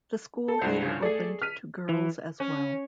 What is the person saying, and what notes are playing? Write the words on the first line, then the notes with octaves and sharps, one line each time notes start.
The school later opened to girls as well.
A4
C2 G2 C5
C#3 F3
A3 G#4 D5 G#5
F6 B6 D#7
E3
C#4